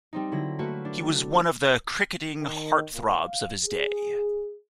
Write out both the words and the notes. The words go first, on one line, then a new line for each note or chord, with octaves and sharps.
He was one of the cricketing heart-throbs of his day.
G3 C4 D#4
D3 F#3 E4 A#6
A3 A#3 F#4 B4
D4
D#3
A#2
F5
G#4